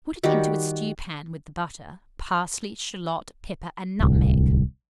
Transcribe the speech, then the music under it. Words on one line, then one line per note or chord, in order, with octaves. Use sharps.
Put it into a stewpan with the butter, parsley, shalot, pepper, and nutmeg.
D#3 G3 F#4 G4
D1 C2